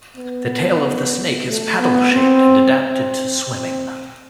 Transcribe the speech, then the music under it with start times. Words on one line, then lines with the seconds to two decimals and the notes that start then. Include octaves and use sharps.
The tail of the snake is paddle-shaped and adapted to swimming.
0.17 B3
1.48 A3
1.81 B3
2.13 C4
2.79 C4